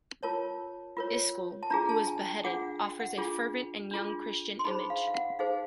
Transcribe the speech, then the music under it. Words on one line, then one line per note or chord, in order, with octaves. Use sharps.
Iscle, who was beheaded, offers a fervent and young Christian image.
F4 A#4 C#5 A5
F4 A#4 C#5
A5
D4 F4 G#4 A#5
A5
G#5
G5
D4 F4 G#4 F#5
G5
F#5
D4 F4 G#4
D4 F4 G#4
C6
D#4 G#4 C5 B5
F5
F5
F#5
D#4 G#4 C5 F5